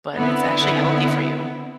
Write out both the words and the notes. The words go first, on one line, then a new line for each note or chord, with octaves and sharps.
but it's actually healthy for you.
D3 B3 C4 E4